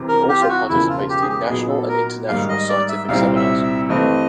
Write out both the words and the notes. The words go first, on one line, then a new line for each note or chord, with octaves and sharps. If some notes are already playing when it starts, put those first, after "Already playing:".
He also participated in national and international scientific seminars.
Already playing: C2 C3 E3
A#4
G4
F4
F#4
E1 E2 C#3 F3 A#3 E4
F4
G4
G#4
G4
A#2 F#3 B3 D#4 G#4
A4
A#4
G#2 D#3 G3 A#3 F5
D#5
D5
E5
C2 A#2 G3 C4 E4 F5
E5
E5
G2 E3 A3 C4 D#5